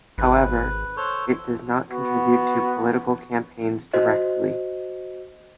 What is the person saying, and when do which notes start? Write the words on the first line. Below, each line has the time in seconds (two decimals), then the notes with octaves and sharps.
However, it does not contribute to political campaigns directly.
0.18 G#1 B4
0.97 A4 C5 C#5
1.91 B3 F#4
3.94 F#4 C5 D#5